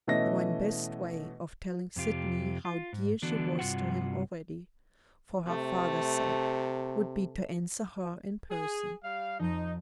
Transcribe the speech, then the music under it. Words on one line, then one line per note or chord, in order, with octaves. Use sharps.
The one best way of telling Sydney how dear she was to him already, for her father's sake, would be to answer her in person.
B2 E3 A3 C#4 D#5 A#6
F2 C3 F4 G4
F4
G#2
D3 E3 B3 D4 F#4
G2 C3 G#3 F4 F#4 F#5
C3 A3
G#4
G3 F5
F2 F3 D#4